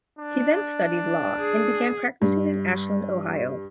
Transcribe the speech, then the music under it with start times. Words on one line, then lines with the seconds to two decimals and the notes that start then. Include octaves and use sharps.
He then studied law and began practicing in Ashland, Ohio.
0.19 D4
1.40 G#4
2.22 G2